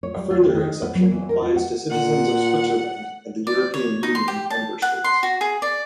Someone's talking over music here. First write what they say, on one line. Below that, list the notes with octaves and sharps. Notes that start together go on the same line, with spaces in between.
A further exception applies to citizens of Switzerland and the European Union member states.
C#5
G3
F4
G4
D#3
D#4
B3
F#3
E3
A#4
F4
F#5
A#2 F#5
D5
C#5
D#4
C6
G4
A5
F#5
C6
F#4
G#4
D5